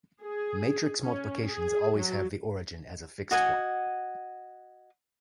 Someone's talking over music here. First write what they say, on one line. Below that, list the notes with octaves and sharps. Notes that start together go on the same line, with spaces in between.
Matrix multiplications "always" have the origin as a fixed point.
G#4
C#4
G#4
F#3
F#4 D#5 F#5 G#5